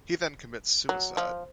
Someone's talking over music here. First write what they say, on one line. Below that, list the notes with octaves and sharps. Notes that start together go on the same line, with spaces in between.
He then commits suicide.
F#3
F3